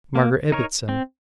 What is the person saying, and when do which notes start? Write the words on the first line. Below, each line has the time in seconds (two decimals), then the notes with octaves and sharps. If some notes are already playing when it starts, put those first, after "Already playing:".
Margaret Ibbotson!
0.15 A#3
0.52 D#4 A#4 C#5
0.89 C4